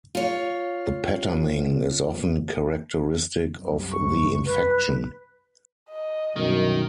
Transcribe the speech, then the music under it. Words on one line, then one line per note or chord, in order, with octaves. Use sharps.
The patterning is often characteristic of the infection.
F4 C#5
C2 F#2 C3
C#6
B4
D#5
C2 F#2 B2 D#3